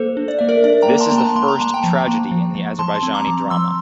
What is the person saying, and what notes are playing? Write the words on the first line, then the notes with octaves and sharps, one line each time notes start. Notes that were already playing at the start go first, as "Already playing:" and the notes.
This is the first tragedy in the Azerbaijani drama.
Already playing: A#3 A4 C5
D4
D5
A#3 E5
A#4 D5
D4 A#4 D5
G5 A#5
A#3
A5 C6
A#3 A#5
A5 C6
A#3 C6
A#5
A#3 A5
G5 A#5
F3
A#3
F3
F3
F3 A5 C6
C4
A#5 D6
F3
F3 C6 E6